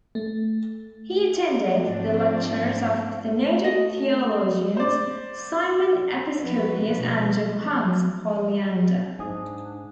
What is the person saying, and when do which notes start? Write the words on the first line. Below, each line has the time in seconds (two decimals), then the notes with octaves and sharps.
He attended the lectures of the noted theologians, Simon Episcopius and Johannes Polyander.
0.15 A3
1.74 G#2 F3 C4 D4
3.64 A3 D#5
4.77 C5 D5
6.44 F3 F#3 F#4 B4
6.86 B2 F3 G#3 D4 B4
7.22 F3
9.19 G#2 D4 G#5 D#6